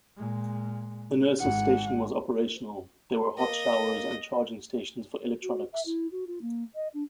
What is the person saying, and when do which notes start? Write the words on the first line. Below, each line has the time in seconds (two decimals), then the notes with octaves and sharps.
The nurses' station was operational; there were hot showers and charging stations for electronics.
0.17 A#2 G#3
1.40 G#1 G#2 F#5
3.38 A#3 D#5
5.42 F#4
5.72 E5
5.85 E4
6.11 F#4
6.27 F4
6.41 A#3
6.75 D#5
6.93 D4